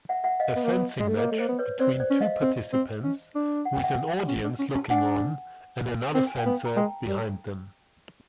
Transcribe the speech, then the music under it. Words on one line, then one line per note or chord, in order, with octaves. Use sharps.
A fencing match between two participants with an audience looking on and another fencer behind them.
E5 F#5
E5 F#5
D#5 F5
B3
A#3
B3
G#3
A3
A#3 C#5 D#5
A3
A#3 C5
B3
B4 C#5
C4 C5 D5
C5 D5
C#4
D#5 F5
C4
C4
C#4
D4
F#5
G5
E5 F#5
C#4
D4
C#4
C#4
A5
D4 F#5 G#5
C4 G5
G#5
F5 G5
B3
A#5
G#3 G5 A5
G3